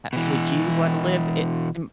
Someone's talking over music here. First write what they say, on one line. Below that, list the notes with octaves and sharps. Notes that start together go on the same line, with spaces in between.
Uh, would you wanna live i m
B2 E3